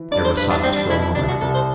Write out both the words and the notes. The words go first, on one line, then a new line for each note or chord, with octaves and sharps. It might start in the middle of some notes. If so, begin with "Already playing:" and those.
There was silence for a moment.
Already playing: E3
G2 D5
C5
G2 B4
D4
G3 C4
D4
B2 E4
E4
C2 D4
F#4
C2 A4
C5